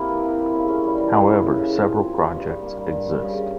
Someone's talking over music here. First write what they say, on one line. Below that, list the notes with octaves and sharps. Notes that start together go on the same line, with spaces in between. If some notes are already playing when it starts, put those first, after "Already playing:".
However several projects exist.
Already playing: A#3 C4 E4 G4
E3
C3
E4
C#3
C#4
G3
E3
C#3
C#4
C#3
C#3
C4
F3
C#3
C#3
G2
G2
A#3
G3
G2
G2
C#3
C#3